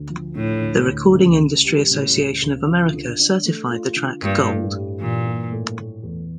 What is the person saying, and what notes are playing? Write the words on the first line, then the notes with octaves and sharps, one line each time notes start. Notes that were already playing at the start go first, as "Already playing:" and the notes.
The Recording Industry Association of America certified the track Gold.
Already playing: D2
F3
A2 D3
D2
D2
C#2
C#2
G3
A2 C#3
C#2
C#2
F4
D3
D4
A3
F4
D3
G2 A#3
A2
G3
A#2 E3
A#3
A2
A3
E2